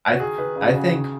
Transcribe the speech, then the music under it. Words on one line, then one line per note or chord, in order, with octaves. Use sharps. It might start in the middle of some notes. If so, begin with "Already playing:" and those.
I th I think
F#4
D#3 G#4
D#3 B4
C#3 G#4
F#4
C#3 G#4
D#3